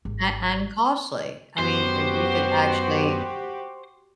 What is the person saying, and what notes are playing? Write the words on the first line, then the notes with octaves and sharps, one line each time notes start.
A and costly, I mean, y you could actually,
G#1
F#2 B3 F#4 G4 C5